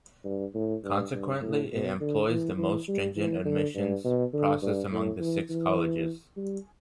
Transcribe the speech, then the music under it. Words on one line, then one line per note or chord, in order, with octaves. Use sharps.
Consequently, it employs the most stringent admissions process among the six colleges.
G2
A2
G2
G2
A2
B2
D3
E3
E3
G3
E3
D3
G2
B2
D3
G2
A2
E3
E3
G3